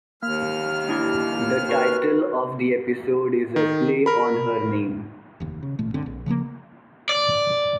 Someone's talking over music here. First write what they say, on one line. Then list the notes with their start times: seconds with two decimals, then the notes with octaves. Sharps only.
The title of the episode is a play on her name.
0.23 D#2 A#3 F6
0.89 D4 E4 G4
1.69 F#4 A#4 B4
3.56 D#3
4.06 A#4 B5
5.40 F1 D#2
5.63 C#3
5.79 A1 A#2 A3
5.94 G1 D3 C4
6.06 A#1
6.26 C#3 F3 G#3 A#3
7.09 D5